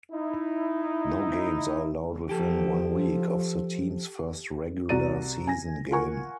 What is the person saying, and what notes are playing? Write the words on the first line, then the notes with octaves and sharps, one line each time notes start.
No games are allowed within one week of the team's first regular season game.
D#4 E4
F3 G4 A4
C2 F#4 D5 A#5 A6 D#7
G#5 A#6
F4 A#4 F#5 G#5 C#6